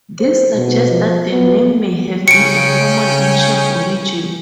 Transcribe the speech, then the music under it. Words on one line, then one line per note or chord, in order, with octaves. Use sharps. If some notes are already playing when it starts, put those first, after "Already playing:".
This suggests that the name may have a common ancient origin.
C5
B2
F3
B3
C#3 C#4 G5 G#5 C#7 D7